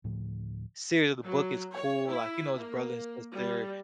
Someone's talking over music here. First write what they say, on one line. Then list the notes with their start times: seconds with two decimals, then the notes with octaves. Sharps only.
series of the book is cool, like, you know, it's brother and sister,
0.04 D2 A2 F3
1.24 F#3
1.73 C#5
2.09 E4
2.59 A#3
3.34 G3